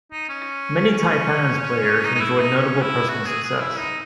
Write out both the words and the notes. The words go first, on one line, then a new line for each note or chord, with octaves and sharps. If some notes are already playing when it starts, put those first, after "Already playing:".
Many Taipans players enjoyed notable personal success.
D#4
C#4
C#4
D#4
D#4
E4
D#4
C#4
E4
F#4
G#4
G#4
E4
D#4